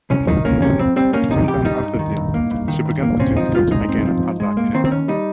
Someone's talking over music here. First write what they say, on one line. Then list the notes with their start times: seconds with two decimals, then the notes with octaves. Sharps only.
Some time after this she began to teach sculpture again at Azad University.
0.10 C2 C#4
0.27 D#3 D#4
0.45 A#3 C#4
0.62 C3 C#4
0.79 F2 C4
0.96 G3 C4
1.13 A#3 C#4
1.31 C3 D#4
1.48 F2 G4
1.65 G3 D#4
1.83 G2
1.99 D#3
2.17 G2
2.34 A#3
2.51 G2
2.68 D#3
2.85 G2
3.03 A#3
3.20 C4 C#4
3.37 F3 D#4
3.54 G#2 F4
3.71 G#3 D#4
3.89 C4
4.05 F3
4.23 G#2
4.40 G#3
4.57 A#3
4.74 D#3 C4
4.85 C4
4.91 D#2 C#4
5.08 G3 D#4